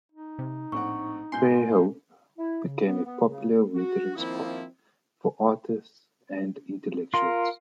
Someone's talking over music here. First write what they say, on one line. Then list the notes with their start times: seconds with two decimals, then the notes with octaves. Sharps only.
Fairhope became a popular wintering spot for artists and intellectuals.
0.12 D#4
0.39 C3
0.72 A#1 A2 C4 F#5 C#6
1.32 G#2 B2 G#5 C6 G6
2.38 E4
2.65 C#3
2.86 B3
3.05 B3
3.28 C#3
3.75 F#4
4.16 D#3 F3 A#3 C4 E4
7.14 F4 A#4 C6